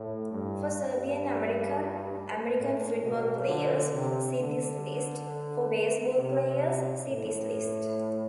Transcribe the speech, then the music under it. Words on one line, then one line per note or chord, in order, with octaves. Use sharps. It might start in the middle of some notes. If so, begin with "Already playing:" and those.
For Serbian-American American football players, see this list; for baseball players, see this list.
Already playing: A2
G2
G2
A2
B2
D3
C3
D3
C3
A2